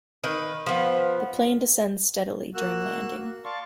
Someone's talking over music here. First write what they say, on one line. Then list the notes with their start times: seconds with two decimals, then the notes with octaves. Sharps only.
The plane descends steadily during landing.
0.24 D#3 B4
0.66 F3 B3
2.55 A#3 F#4 E6 F#6
3.45 D5 F5 A5 C6 C#6